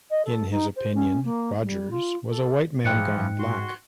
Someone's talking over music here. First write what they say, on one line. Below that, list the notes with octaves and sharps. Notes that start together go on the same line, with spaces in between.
In his opinion Rodgers was a "white man gone black".
D#5
A4
D#4
C5
C#4
A#3
G3
F4
A4
G#2 E3 F3 G5 F#6 C#7
F#4 C6